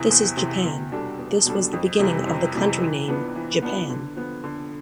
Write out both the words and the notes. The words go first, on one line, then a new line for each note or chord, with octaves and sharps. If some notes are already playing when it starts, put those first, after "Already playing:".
This is Japan This was the beginning of the country name Japan.
Already playing: E2 C3 E3
E2
C3 E3
E2
B2 G3 D4 A4
E2
B2 G3 D4 A4
F2
C3 E3 G3
F2
C3 E3 G3
E3
B3 D4 F4 B4
E3
B3 D4 F4 B4
D3
F3 B3
D3